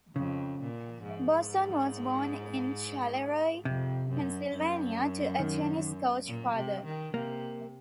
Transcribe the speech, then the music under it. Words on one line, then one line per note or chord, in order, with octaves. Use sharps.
Bosson was born in Charleroi, Pennsylvania to a tennis coach father.
F2 C#3
A#2
G#2
F2 C3
F#2
F#2
D#3
A#2
C3
D#3
C3 A#3